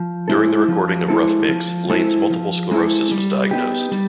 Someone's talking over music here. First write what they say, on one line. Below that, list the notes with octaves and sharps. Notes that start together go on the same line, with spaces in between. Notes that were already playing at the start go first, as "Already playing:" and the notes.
During the recording of "Rough Mix", Lane's multiple sclerosis was diagnosed.
Already playing: F3
G#3 C4 E4 A4
F3
G#3 C4 E4 A4
F3
G#3 C4 E4 A4
F3
G#3 C4 E4 A4
G3
B3 D#4 G4
G3